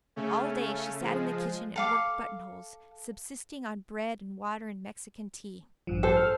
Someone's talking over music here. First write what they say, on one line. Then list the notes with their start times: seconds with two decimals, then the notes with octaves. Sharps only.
All day she sat in the kitchen and worked buttonholes, subsisting on bread and water and Mexican Tea.
0.16 C#3 A3 C#4
1.01 F3 G#3
1.76 A4 F5 D6
5.87 A1 G2 F3
6.03 A4 C5
6.17 F6